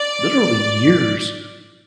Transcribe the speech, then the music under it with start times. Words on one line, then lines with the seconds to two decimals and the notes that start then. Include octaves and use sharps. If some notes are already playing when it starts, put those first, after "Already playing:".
literally years.
Already playing: D5